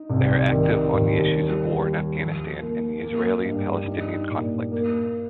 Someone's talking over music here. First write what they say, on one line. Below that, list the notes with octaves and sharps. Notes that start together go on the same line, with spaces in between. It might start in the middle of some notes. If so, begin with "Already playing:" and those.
They are active on the issues of War in Afghanistan and the Israeli-Palestinian conflict.
Already playing: D#4
C2
D#3
D#2
G3
G3
F3
A#3
A#3
G2
D#4
A#2
A#3